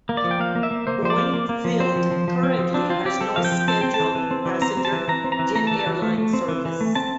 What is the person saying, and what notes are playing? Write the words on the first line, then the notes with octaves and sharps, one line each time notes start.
Boeing Field currently has no scheduled passenger jet airline service.
A#3
D5
F3
G5
A#3 F5
A#3
E5
A#3
A#3 C5
F3 C5
D5
A#3
A#3
A#3
F3
C4 C5
F3
F3
F3
C4
F3
C4 D4
C4 F4
C4 G4
C4 A4
F3 F5
G5
F3
C4 A5
C4 G5
A5
E3
E3
C4
E3
C4 A#5
C4
A5
E3
E3 A#5
C4
A#5
E3
A3 A#5
A5
E3
A5
E3
A3
A3
C4
E3
E3
A3
C4 A5